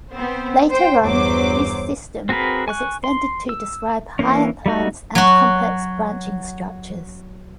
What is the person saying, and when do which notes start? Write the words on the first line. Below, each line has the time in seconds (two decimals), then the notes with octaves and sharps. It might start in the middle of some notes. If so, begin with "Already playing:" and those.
Later on, this system was extended to describe higher plants and complex branching structures.
0.13 B3 C4 C5
0.71 C5 G5
1.02 E2 G2 F#3 C5 D6
2.29 C4 F#4 G#4 A#4 B4
2.68 G#5 C#6 F#6
3.04 C6
3.49 E6
4.19 E3 A#3 C#4
4.66 G3 A3 D#4 F#4
5.15 F#3 F#4